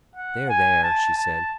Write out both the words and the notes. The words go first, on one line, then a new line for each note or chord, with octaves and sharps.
"There, there," she said.
F#5
G#5
A5
A5